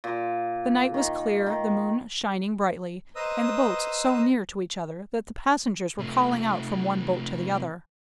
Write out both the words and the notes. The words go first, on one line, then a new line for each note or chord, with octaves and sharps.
The night was clear, the moon shining brightly, and the boats so near to each other that the passengers were calling out from one boat to the other.
A#2
D#3
D#3
B4 C5 D#5 A#5 D#6 E6
C3 A3